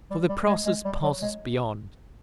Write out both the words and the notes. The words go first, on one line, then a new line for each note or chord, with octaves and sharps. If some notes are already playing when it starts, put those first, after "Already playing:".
For the process passes beyond.
G3
G3
G#3
G#3
G3
F#3
G#3